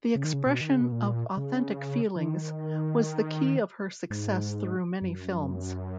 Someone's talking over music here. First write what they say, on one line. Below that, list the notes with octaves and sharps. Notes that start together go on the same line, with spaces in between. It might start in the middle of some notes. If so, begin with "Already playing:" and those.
The expression of authentic feelings was the key of her success through many films.
C#3
D#3
C#3
B2
D#3
C#3
B2
A#2
C#3
E3
D#3
G#2
F#2